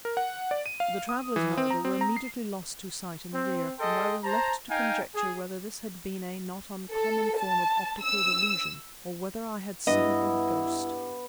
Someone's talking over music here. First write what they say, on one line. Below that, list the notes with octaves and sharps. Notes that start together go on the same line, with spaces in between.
The travellers, however, were immediately lost to sight in the rear, and I was left to conjecture whether this had been a not uncommon form of optical delusion or whether I had seen a ghost.
A#4
F#5
D5
D#7
F5
D#6
E3
C4
A#5
C4
A#5
C7
C4
G#4 A4 D#5 G5 C6
C5 A5 A#5
D#4 F5 G5 G#5
G#4
A4
A5
E6
G2 B3 E4 D#5